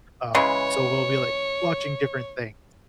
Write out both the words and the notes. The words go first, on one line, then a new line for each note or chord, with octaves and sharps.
um, so we'll be, like, watching different things,
C#3 E3 G#3 C#5